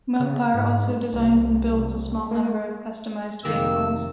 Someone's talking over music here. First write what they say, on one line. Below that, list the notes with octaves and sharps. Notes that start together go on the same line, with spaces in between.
Mopar also designs and builds a small number of customized vehicles.
C#3
G#2
C2
A#3
F1 C3 D#3 G3 A#3 E6